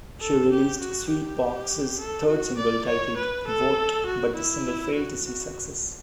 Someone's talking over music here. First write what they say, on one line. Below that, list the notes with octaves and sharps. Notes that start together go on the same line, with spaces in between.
She released Sweetbox's third single titled "Wot", but the single failed to see success.
A4
G4
F#4
G4
A4
F#4
D5
C#5
B4
A4
F#4
E4
F#4
F#4